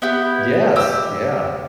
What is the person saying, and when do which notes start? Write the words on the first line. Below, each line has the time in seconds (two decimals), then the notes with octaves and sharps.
yes. Yeah.
0.02 B3 E4 G4
0.76 G4 E6